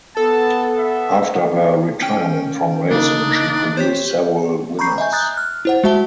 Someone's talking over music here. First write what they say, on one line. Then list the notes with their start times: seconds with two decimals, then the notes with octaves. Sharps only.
After her retirement from racing she produced several winners.
0.17 B3 A4 A5
0.79 E5
2.02 C#4 G5
2.91 C#3 A#3 D4 D#4
3.77 G4 C5 C#5 B6
4.79 A#5 B5 C#6 G6 C7
4.98 D#5 E5 G#5 G6
5.12 A#5 D#6 F#6 G6 A6
5.34 F6 F#6
5.65 E4 C5 F#5
5.84 G#3 F#4 E5 A5 G7